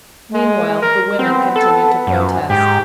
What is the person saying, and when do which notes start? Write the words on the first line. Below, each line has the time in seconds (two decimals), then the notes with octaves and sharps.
Meanwhile the women continued to protest.
0.33 G#3
0.82 A#4
1.19 B3 C4
1.56 A4
2.07 F#2
2.50 G#2 G4